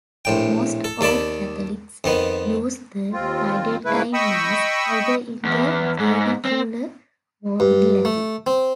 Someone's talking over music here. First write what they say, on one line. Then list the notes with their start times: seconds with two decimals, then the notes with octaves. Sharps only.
Most Old Catholics use the Tridentine Mass, either in the vernacular or in Latin.
0.25 A#1 A2 G5
0.84 A4
1.01 D#2 A4 D5 A5 B5
2.04 F2 D#3 B3
3.13 D#2 C4 F4
3.85 G#2 C#3 A3 E4 B4
4.14 D#5 G5 B5 C#6 D#6 E6
5.45 E2
5.98 G#2
6.45 C4
7.60 G2
8.05 A3
8.47 C4